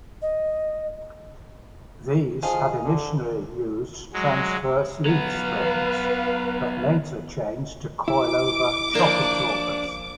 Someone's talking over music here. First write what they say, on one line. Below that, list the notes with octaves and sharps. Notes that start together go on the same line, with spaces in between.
These had initially used transverse leaf springs, but later changed to coilover shock absorbers.
D#5
F3 G#4 D#5 F5
D3
F#3 G#3
F#3 B3 B4 F5
E4 D6
F3 A#3 D4